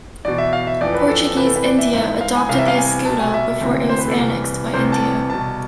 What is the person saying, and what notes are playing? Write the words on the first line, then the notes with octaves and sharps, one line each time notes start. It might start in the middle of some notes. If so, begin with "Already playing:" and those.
Portuguese India adopted the escudo before it was annexed by India.
E2 B2 D5
E5
F5
E5
F2 E3 D5
B4
A4
E2 C3 E3 B4
A4
B4
D5
E5
G#2 E3 E5
F5
G#5
C2 C3 E3 F5
E5
F5
G#5
C2 B2 A5
G#5
E5
D2 C3 E3
C5
B4
A4
C2 C3 E3
C2 C3 E3 C5
A5
C2 B2 A5